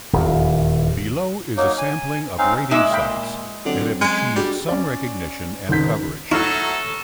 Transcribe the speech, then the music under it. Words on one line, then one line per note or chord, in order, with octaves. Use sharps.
Below is a sampling of rating sites that have achieved some recognition and coverage.
D#1 E2
F#3 A#3 D#4
G#5
C4 C#4 D#4 F5
A#2 G#3 D#4 E5 D6
F5 G5 B5
D3 F#3 C4 C#4
G#3
G3 D4 F#4 G#4
C#4 D5
G#1 G#2 C#3 G6 B6
F#3 A3 E4 A4 A#5 C#6 F6 E7